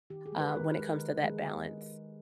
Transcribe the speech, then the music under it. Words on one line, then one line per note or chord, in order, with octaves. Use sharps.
um, when it comes to that balance?
D#3 G4
G#4
G#3
B4
D#3 A#4
G#3
D#3
G#3